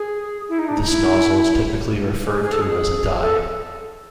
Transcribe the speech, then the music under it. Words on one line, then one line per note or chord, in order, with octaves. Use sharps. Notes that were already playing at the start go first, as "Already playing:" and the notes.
This nozzle is typically referred to as a die.
Already playing: G#4
E4
D#4
D4
D#4
E4
G#4
A4
G#4
A4